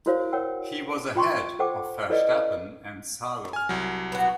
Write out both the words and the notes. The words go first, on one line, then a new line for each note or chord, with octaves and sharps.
He was ahead of Verstappen and Salo.
E4 F#4 A#4 C5 C#5 F5
A#4 C#5 F#5 G5 E6
F4 G5 C6 C#6
A4 C5 F#5 G5 D6
E4 A4 B4 D5 D#5
G#5 F6
C2 F#3
B3 F#4